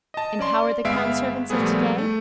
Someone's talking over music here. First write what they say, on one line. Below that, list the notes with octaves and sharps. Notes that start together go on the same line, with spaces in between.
And how are the crown servants of to-day?
D#5 A5
C#4 D5 C6
G1 G#3 B3 E5 F5 D7
A#2 F3 G3 A3 B3 G#4
A3